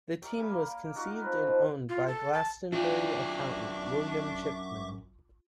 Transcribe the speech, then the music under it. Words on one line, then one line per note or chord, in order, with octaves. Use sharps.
The team was conceived and owned by Glastonbury accountant William Chipman.
A#4 D5 E5 G5
A#4 F5 G#5 B5
A#3
D#4 F4 F#4 A#4
F3 C4 B4
D#3 F3
F4
A4
A5
F#2 D4 F4 F#4 D5 E5 C#6 D6